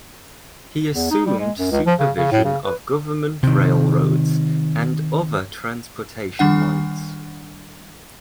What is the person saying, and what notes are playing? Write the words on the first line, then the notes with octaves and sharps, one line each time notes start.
He assumed supervision of government railroads and other transportation lines.
E2
D#4
G3
G#3
F#2
C#2
F3
C#3
C#3
A2
C#3
B4
C3 D#3
D#3 G3 D4 F#5